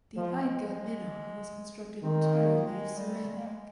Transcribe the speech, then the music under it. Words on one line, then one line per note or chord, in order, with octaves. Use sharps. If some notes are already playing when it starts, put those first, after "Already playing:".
The Eidgah Minar was constructed entirely of ceramic.
F3 G#3
D#3 C4
A#3
G#3
G3
G#3
A#3
G#3